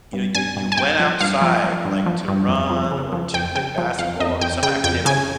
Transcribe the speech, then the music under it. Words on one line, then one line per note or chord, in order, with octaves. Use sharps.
you know, you you went outside, like, to run or to play basketball or some activity,
G2
G2 G#5
G2
G#5
G2 G5
F3
G2 F5
F3
F3
G2
F3
G2
F2
F2
C#3
F3
F2 G5
C#3 G5
F3
F2 F5
F2 D#5
F2 G5
C#3 G5
F2 G5
C#3 G#5